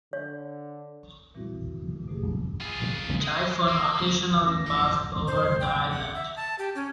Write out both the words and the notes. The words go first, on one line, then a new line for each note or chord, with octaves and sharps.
Typhoons occasionally pass over the island.
D3 C#5
A#2 E3 G3 C4 E4 F#4
B2 A3 G4 G#4
F4 G#4
G#3
A#3
A1 A#6
F#2 F3
C5
G5
F#5
E5
A5
G4
C#4